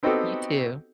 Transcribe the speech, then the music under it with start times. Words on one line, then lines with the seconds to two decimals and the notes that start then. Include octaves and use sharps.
You too.
0.03 B3 C4 D#4 F#4 G4 A4